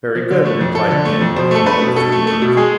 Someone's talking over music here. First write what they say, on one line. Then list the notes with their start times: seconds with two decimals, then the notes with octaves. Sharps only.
"Very good," replied Pim, a man of few words.
0.15 F3
0.31 D3
0.45 A3
0.61 F2
0.75 F3 A4
0.91 D3
1.05 A3
1.21 F2
1.36 B2 C5
1.51 A3 A4
1.66 A3 B4
1.82 B2
1.96 B2 A4
2.12 A3
2.27 A3
2.42 B2
2.57 G#3 G#4